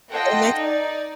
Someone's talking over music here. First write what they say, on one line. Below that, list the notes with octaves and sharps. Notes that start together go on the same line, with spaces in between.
That makes
F4 A4 D#5 F#5 G5
D#4 D5